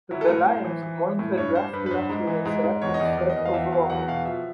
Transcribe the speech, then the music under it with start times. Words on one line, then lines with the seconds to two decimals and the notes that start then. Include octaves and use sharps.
The Lions won the draft lottery and selected first overall.
0.11 F#3 E4
0.21 A4
0.28 A2 A#4
0.47 A2 C5
0.64 E3
0.83 E3
1.01 E3
1.19 A2
1.37 G2 C#5
1.55 G3 C5
1.73 G2 B4
1.86 B4
1.91 G2 C5
2.09 G#2
2.27 E3
2.45 G#2
2.64 G#2
2.82 E2 C#5
2.94 D#5
3.00 E2
3.05 D5
3.18 E2
3.30 D#5
3.36 E2
3.45 F5
3.54 E2 E5
3.72 F#3 F5
3.90 E2 F#5
4.08 B2 F5
4.25 F3 E5